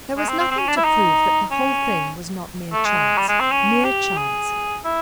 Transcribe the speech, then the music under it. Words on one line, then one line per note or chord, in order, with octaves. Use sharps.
There was nothing to prove that the whole thing was not mere chance, mere chance.
G#3
C4
C4
C4
C#4
D4
E4
D#4
C#4
A3
G#3
G3
G#3
C4
C#4
G4
G#4
E4